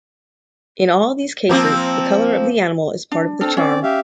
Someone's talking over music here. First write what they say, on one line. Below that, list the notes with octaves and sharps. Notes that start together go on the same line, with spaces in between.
In all these cases the color of the animal is part of the charm.
F3 A#3 C4
D4
C4 D4 A4 F6
C4 C#4 D5
G4 E5 F5